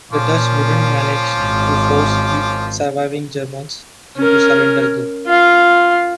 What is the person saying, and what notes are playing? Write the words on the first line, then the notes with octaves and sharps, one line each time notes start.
The Dutch wouldn't manage to force the surviving Germans into surrender though.
A#2 F3 C#4 D6
G#1
C#4 A#4
F4 F5